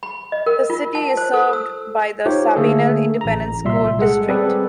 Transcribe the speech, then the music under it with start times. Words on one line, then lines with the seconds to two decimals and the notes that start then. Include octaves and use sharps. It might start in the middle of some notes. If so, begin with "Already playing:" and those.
The city is served by the Sabinal Independent School District.
0.03 B5
0.32 D#5
0.46 A#4
0.70 F4
0.95 A5
1.17 C5
1.33 A4
1.53 E6
2.26 D#4 F4 G4 C5 C#5
2.55 D3 A3 A#3 G#4 A4
3.21 A1 A#5
3.64 C2 A#2 G3 E5 C6
3.99 G#3 G#4 A4 F#5
4.28 G3 C4 G#4 A4 B4 D5